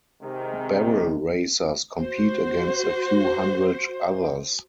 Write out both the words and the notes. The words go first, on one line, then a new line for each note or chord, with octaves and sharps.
Barrel Racers compete against a few hundred others.
C3 D#3 G#3
F#4 C5